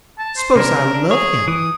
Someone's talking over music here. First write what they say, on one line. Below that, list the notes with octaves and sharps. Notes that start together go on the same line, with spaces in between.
"S'pose I love him?"
A5
C5
C3 C#4 D4 A#4
D4
G#4 C#5
E3 D#6